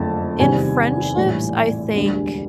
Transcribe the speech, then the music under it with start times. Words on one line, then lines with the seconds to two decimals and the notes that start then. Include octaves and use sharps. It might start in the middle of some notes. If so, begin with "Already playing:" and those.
in friendships, I think
Already playing: F#1 F2 D3 F3 A3 A5
0.39 E2 C3 D#3 G3 C4 G#5
1.17 A#1 A2 E3 G3
1.94 E1 D2 D3 G3